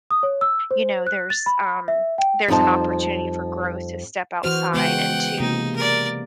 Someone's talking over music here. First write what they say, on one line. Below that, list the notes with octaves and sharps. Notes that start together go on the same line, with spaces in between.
you know, there's um, there's an opportunity for growth to step outside and to
D#6
C#5
E6
C5
F#6
A6
B5
E5
G5
F2 G3 D#4 C5 A5
E3 F#4 C5 F6
C#3 G#3 B3 F#5 G5
C3 E3 A#3 D#4
A#4 D5